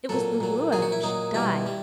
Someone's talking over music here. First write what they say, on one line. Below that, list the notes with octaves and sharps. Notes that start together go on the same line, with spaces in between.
It was the wooer who should die.
A#2 F#3 A4
A#2 F#3
A#2 F#3 G#4
F#4
E4
A#2 F#3 D#4
B2 G3 E4
G3